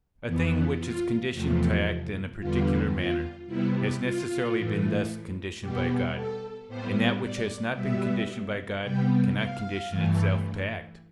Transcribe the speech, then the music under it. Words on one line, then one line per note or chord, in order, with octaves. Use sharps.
A thing which is conditioned to act in a particular manner, has necessarily been thus conditioned by God; and that which has not been conditioned by God cannot condition itself to act.
F2 E3 B3
F4
E2 C3 F3 A3
E2 D3 G3 B3 F4
F4
C3 G3 B3 E4
F4
A2 E3 A3
B2 G3 B3 G4
A4
A2 G3 B3 C5
D5
B2 G3 B3 E5
C3 G3 B3 G5
F5
G2 E3 A3